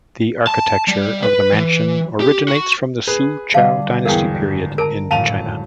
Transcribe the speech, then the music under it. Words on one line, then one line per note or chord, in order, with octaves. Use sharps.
The architecture of the mansion originates from the Su Chow Dynasty Period in China.
A5
G3
B4
E3
G4
F#4
G#4 B4
D3 G3 D4 E5 F5 A5
G#1 E2 G#4 A#4 F5 G5 B6
A#4 A5 A#5 D7
G#1 F#2 A2 F5 A5 D#7 F7